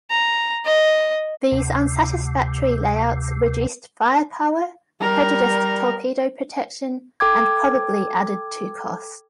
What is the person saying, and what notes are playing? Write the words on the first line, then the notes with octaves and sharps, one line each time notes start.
These unsatisfactory layouts reduced firepower, prejudiced torpedo protection and probably added to cost.
A#5
D#5
D2 C3
G3 A#4
A4 G5 D6 G#6